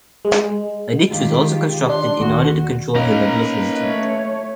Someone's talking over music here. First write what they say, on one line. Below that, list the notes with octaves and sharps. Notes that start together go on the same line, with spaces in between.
A ditch was also constructed in order to control the level of water.
G#3
D#3 F4 G4
D4 C6
D#2 F#4
A#3 C#4 D#4 B4 A#5
A3 C#5